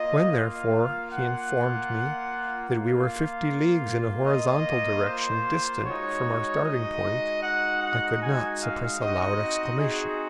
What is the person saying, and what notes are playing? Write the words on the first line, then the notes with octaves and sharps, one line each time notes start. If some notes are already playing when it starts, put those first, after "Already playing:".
When, therefore, he informed me that we were fifty leagues in a horizontal direction distant from our starting point, I could not suppress a loud exclamation.
Already playing: A#3 F4 D#5
F5
F#5
A#3 F4 F5
D#5
C5
G#3 D#4 F#4 C#5
D#5
F#5
F#5
G#5
F5
C4 D#4 F#4 D#5
G#4